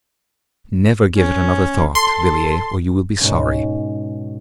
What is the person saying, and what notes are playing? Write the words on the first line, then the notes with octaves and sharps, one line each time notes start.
Never give it another thought, Villiers, or you will be sorry.
C#4
A4 C6
G#2 B2 C#4